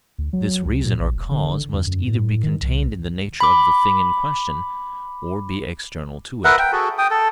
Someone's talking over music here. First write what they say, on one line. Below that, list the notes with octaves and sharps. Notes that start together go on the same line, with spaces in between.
This reason or cause must either be contained in the nature of the thing in question, or be external to it.
D2
F#3
C#2
A#2
A#1
E1
D3
F2
F#2
A2
D#3
C2
B5 D6
A#4 B4 E5 F#5
G5
F#4 G#4 A4
G5 D#6
A4